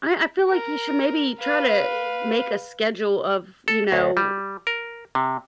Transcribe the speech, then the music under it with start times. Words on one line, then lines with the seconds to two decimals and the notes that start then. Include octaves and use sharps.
I I feel like you should, maybe, try to, uh, make a schedule of, you know
0.49 A#4
1.39 B4 F5
3.68 A4
3.92 D2
4.17 G3
4.67 A#4
5.15 C3